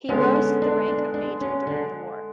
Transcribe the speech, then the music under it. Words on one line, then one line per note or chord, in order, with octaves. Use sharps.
He rose to the rank of major during the war.
D3 G#3 B3 C#4
C#4
D4
D4
D4
C#4
D3